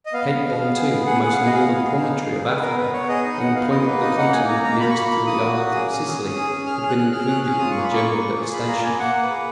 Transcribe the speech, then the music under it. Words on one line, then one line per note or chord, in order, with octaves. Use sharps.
Cape Bon, too, the most northern promontory of Africa and the point of the continent nearest to the island of Sicily, had been included in the general devastation.
D#5
B3 F5
B3
B3
B3
G#4
B3
G#4 F#5
G#4 F#5
F5
B3 F#5
D#5
G#4 F5
B3
G#4
D#4
G#4
G#4
B3 B4
B3 A#4
B3 B4
B3 C#5
G#4 D#5
D#4 D#5
B3 F#5
B3 F5
B3 D#5
A#3 B4
D#4 D#5
A#3 F#5
A#3 G#5
A#3 A#5
A#3 A#5
A#3 B5
C#6
A#3 B5
A#3 B5
A#3 D#6
F#4
A#3
G#4
C#4
C#4
C#4
G#4
C#4
G#4 F6
G#4
F#6
G#4
G#4 F6
C#4 F#6
G#4 F6
F4 D#6
A#3 C#6
B5
A#3
C#6
A#3
F4
G#4
F4 B5
A#3 A#5
A#3 G#5
A#3 F#5
A#3
B4
G#4